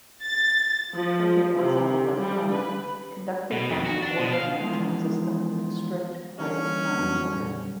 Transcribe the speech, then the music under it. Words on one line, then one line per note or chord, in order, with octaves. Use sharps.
Trading was all-electronic, conducted by an order matching system in strict price time order.
A6
F3
C3
G3
B4
B2
F2
F#4
D4
B2
F5
E3 F3 G#3 B3
E3 G3 A#3 C#4 D#5
F2 E3 F#3 G3 B3
A#2 G3